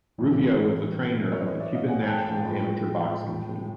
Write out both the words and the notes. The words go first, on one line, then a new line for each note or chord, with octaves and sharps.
Rubio was a trainer of the Cuban national amateur boxing team.
A2 E3 A3
B4 C#5
C#5 D#5
D5 E5
D#5 F5
F#5 G#5
G5 A5
G5 A5
A2 F3 G#3